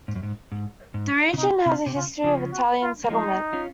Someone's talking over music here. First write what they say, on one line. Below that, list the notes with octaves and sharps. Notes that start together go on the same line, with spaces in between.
The region has a history of Italian settlement.
G#2
F#2
G#2
G#2
G#2
C#3
C3 D#4
C3 F4
C3
C#3 F4
C#3 F3 G#4
F#4
F4
A#3
F3 G#3 D#4
C#4 F4